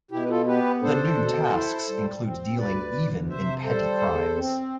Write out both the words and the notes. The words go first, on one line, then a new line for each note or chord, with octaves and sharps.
The new tasks include dealing even in petty crimes.
B2 E4 G4
B4
F4 A4
B3 G4 B4
D4 A4 C5
B2
E4
G3
C4
D2 B4 D5
D2
C3 C5 E5
G3 A4 C5
E2
C4